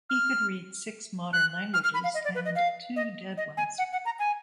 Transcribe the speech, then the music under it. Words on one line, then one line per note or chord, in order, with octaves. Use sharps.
He could read six modern languages and two dead ones.
F6
F#6
F6
F6
B5
F5
D#5
D5
B4
D#5
F5
D#5
D#5
G#5
F#5
F#5
A#5
G#5